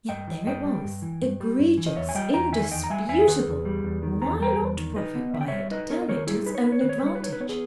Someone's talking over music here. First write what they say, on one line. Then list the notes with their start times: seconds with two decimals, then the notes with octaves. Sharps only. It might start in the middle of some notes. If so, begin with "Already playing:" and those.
Yet there it was, egregious, indisputable. Why not profit by it, turn it to his own advantage?
0.09 G2 D#5 G5
0.28 E3
0.46 G2 D#5 G5
0.65 G3
0.84 G2
1.02 E3
1.21 G2
1.40 G3
1.59 G2
1.78 E3
1.87 D#5
1.96 E2 C#5 E5
2.09 G#5
2.15 G3 D#5 G5
2.34 E2 G5 A#5
2.53 D#3 E5 G#5
2.71 E2 D#5 G5
2.84 A#5
2.90 G3 E5 G#5
3.09 E2 E5 G#5
3.28 D#3 G#4 B4
3.46 E2
3.65 G3
3.83 E2
4.03 D#3
4.21 E2 A#5
4.40 G3 G5 A#5
4.59 E2
4.78 D#3
4.96 D#4 B4 D#5
5.15 B3
5.34 D#3 E5
5.41 G5
5.48 G3 C#5 E5
5.71 D#4 B4 D#5
5.90 B3 A#4 C#5
6.02 D#5
6.09 D#3 A#4 C#5
6.27 G3 E4 G#4
6.46 D#4 B4
6.55 C#5
6.64 B3 B4
6.72 C#5
6.81 D#3 B4
6.89 C#5
6.98 B4
7.03 G3 C#5
7.15 B4
7.21 D#4 C#5
7.33 B4
7.40 B3 C#5
7.49 G#4 B4